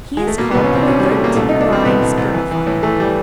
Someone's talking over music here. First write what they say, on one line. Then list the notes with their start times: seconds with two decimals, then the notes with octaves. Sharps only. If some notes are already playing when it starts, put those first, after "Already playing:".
He is called the Thirteen-lined Spermophile.
0.17 G#3
0.27 A3
0.38 B2 A#3
0.51 B3
0.55 C2
0.64 C#4
0.71 C2 C4
0.82 D4
0.87 B2 C#4
1.00 G3
1.04 B2
1.12 A3
1.20 B2 A#3
1.36 C2 A3
1.49 D#4
1.53 C2
1.61 D4
1.69 B2 C4
1.85 C2 B3
2.02 C2
2.18 C2
2.34 E3
2.51 E3
2.67 A2
2.83 E3 A3
3.00 G3